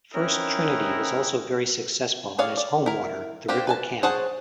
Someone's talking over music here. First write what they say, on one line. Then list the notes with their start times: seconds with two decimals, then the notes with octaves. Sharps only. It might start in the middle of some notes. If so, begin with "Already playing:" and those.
First Trinity was also very successful on its home water, the River Cam.
0.14 C4 C#4 D#4 E4 F#4 A#4
2.39 G#4 C#5 D5 F5
2.57 D5
2.86 E4 A#4
3.48 C4 D4 F4 G4
3.67 B4 G#5 A5
4.03 G#4 C5 C#5 F#5 A5